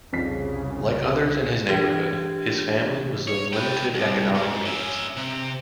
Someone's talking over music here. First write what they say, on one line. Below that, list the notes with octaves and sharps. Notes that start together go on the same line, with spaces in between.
Like others in his neighborhood, his family was of limited economic means.
C2 F2 C#3 B6
E3 D4 G4 G#6
C#5
B4 G5
C2
G#2
C#4 E5
C3